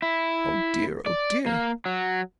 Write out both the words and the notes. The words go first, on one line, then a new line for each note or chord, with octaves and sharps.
Oh, dear, oh, dear!
E4
D5
A#3
F#3